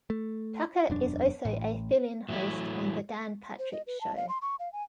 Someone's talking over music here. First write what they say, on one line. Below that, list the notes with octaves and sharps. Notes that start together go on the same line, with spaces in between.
Tucker is also a fill-in host on the "Dan Patrick Show".
A3
E1 F#2 D4
A1 A2
A2 E3 F#3 A3 E4
C5
D#5
B4
A5
F5
C6
C#6
F5
G#5